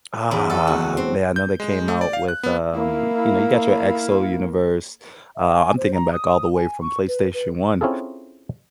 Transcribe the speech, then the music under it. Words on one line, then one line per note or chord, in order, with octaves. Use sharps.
Ah man, I know they came out with, um you know, you got your Exo Universe, uh, I'm thinking back all the way from PlayStation One.
E2
A4
F#4
C4
G6
G#3
A3
D5
F5
F#6
B3
A#3 E4 F5
E5
G#5
C5
A#5
D#6
G#5
C#6
B4
B4
C4 C#4 E4 F4 G#4 A4